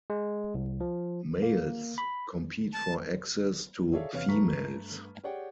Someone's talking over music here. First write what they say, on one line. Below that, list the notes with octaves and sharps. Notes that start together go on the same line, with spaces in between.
Males compete for access to females.
G#3
C2
F3
A#3
B5
A5
G#4 A4 C#5 D5 E5 F5
E2 C3 B4 C#5 F5 F6
G2 A3 B4 A#5 C#6 B6
G4 G#4 C#5 D5 F#5 G5